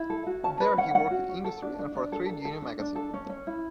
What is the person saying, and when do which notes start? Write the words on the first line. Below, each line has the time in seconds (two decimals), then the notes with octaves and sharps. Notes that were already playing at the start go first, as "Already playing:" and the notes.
There he worked in industry and for a trade union magazine.
Already playing: E4
0.10 A4
0.27 F#4
0.43 C#4 A5
0.60 C#4 B4
0.77 C#4 F#5
0.94 C#4 F#5
1.11 F#4
1.29 C#4
1.44 A4
1.62 D4
1.79 D4
1.95 D4
2.12 A4
2.29 A4
2.45 A4
2.62 D4
2.80 D4
2.95 A4
3.13 C#4
3.29 C#4
3.47 E4